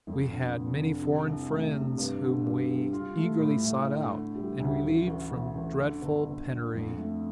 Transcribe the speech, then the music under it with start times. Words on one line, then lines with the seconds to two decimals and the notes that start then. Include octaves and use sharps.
We had many foreign friends whom we eagerly sought out, and relieved from dreadful penury.
0.07 F2
0.30 D3
0.54 F1
0.78 D3
1.02 C3
1.26 C2
1.49 A3
1.74 C3
1.97 G2
2.21 D3
2.44 G2
2.69 G3
2.93 F4
3.17 A3
3.40 A2
3.64 A2
3.88 D3
4.12 D3
4.36 G3
4.60 D2
4.83 A1
5.07 A1
5.30 A1
5.55 A1
5.78 D3
6.02 G1
6.25 G1
6.50 D3
6.74 F2
6.97 A3